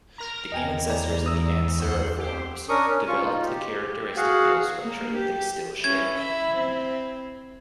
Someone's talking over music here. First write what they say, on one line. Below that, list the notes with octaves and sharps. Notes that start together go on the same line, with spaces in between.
The ancestors of the Anseriformes developed the characteristic bill structure that they still share.
A#4 A#5
E2 D#5 G5 G#5
D5 A#5
D#6 E6
D2 C5 F#5
G4 C5
C#4 D4 A#4 C#6 D#6
C#4
F4 C#6
D#4 F4
G4
F#4 G#4 F5 F#5
A#3
G4
C#4 E4 G#6
E5
C4